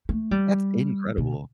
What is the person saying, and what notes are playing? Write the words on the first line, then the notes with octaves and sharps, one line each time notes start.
That's incredible.
A3
G3
B2